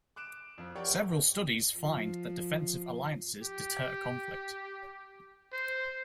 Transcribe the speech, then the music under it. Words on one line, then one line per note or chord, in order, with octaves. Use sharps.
Several studies find that defensive alliances deter conflict.
D6 F#6 D7 E7
F2 F3
G4 A#4 C#5 D5 F#5
F3
G4
C5